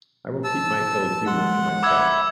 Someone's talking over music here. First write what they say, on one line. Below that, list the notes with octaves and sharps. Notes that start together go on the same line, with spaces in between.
I will keep my ill-humour to myself.
A5 E6
G#3 F#5 C6
E5 B5 D6 E6 G#6